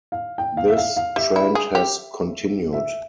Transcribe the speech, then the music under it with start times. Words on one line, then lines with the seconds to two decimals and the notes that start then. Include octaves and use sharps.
This trend has continued.
0.12 F5
0.38 G5
0.57 F5
0.68 E5
0.77 F5
0.97 F5
1.16 G3 E5
1.36 E4
1.55 G#4
1.75 G4
2.73 E5